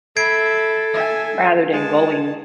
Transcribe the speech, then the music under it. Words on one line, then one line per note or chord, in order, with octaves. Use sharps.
rather than going
A4 E5 B5 G#6 C7 D7
E5 G#5
G#3 A5